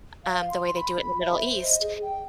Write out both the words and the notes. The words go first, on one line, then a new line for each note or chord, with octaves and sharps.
Um, the way they do it in the Middle East,
F5
C6
B5
E5
C5
D#5
G#4
G5